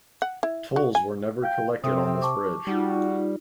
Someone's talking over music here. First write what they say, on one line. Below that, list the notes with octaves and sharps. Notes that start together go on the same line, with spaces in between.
Tolls were never collected on this bridge.
F#5
E4
F#4
G#5
F5 G5
C3 C4 A4 E5 D#6
A5 C#6 D6
G3 D#4 F4 F#4